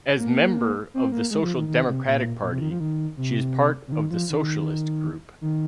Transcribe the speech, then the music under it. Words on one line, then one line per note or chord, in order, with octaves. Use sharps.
As member of the Social Democratic Party, she is part of the Socialist Group.
A#3
C4
A#3
G#3
F3
D#3
D#3
C3
A#2
A#2
C3
D#3
F3
D#3
C3
C3
D#3
F3
D#3
D#3